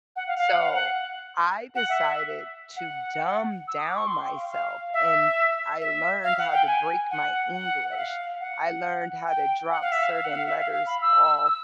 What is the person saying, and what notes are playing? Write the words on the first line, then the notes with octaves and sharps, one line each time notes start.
So, I decided to dumb down myself and I learned how to break my English. I learned how to drop certain letters off
F#5
F5
F5
F#5
F5
F#5
F#5
E5
F#5
E6
D#6
D6
C#6
C6
G5
F5
F5
E5
E5
F5
F#5
G5
G#5
F#5
F#5
E5
F5
F#5
G5
F#5
F5
E5
F5
F5
F#5
F5
E5
F5
F5
B5
E6
E6